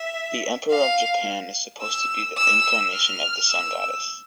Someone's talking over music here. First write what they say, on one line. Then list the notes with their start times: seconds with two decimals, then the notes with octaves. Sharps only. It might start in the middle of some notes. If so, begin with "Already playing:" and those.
The Emperor of Japan is supposed to be an incarnation of the sun goddess.
Already playing: E5
0.70 F5
1.81 E6
2.37 E6
2.92 F6
3.48 E6